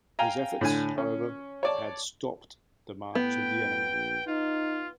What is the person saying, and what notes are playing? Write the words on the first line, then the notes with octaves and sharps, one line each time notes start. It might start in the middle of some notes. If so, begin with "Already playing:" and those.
His efforts, however, had stopped the march of the enemy.
F5 G5 G#5 A#5
A2 D3 G#5
C#4
C#5 D5 A5
A2 B3 G5
A#1
D#4 F4